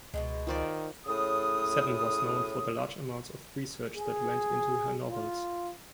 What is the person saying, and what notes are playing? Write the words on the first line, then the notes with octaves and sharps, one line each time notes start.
Seton was known for the large amounts of research that went into her novels.
C#2 B2 E3 G#3
D#3 F4 C5 D5
A2 C#3 D#6
G#4
F4